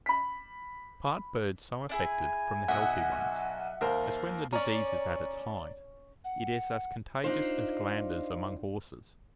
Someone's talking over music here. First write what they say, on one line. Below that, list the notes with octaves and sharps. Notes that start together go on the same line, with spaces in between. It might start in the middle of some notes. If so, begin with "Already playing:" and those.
Part birds so affected from the healthy ones, as, when the disease is at its height it is as contagious as glanders among horses.
B5 B6
D4 E4 G#4 G#5
B1 D#5 E5 F#5
D#2 A#4 C5
C#4 D5 A#5
F#5
D4 D#4 F4 C5